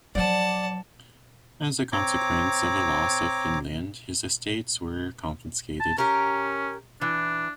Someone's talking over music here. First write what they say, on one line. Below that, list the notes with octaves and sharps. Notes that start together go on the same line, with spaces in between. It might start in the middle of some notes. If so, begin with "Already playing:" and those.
As a consequence of the loss of Finland his estates were confiscated.
F3 F#3 D5 F#5 A5
C4 C#5 A#5 D6
A5
C#4 G4 A#4
E3 D4